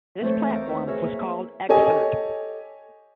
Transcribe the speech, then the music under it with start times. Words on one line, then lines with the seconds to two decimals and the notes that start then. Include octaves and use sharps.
This platform was called Excerpt.
0.21 E3 A3 C4 A4 C5 C#5
0.49 D#2 A#4 A#5 D6
0.66 E4 B4 C#5
0.87 G#4 A#4 B4 C#5 E5
1.03 A#3
1.69 G4 A4 C#5 D#5 G#5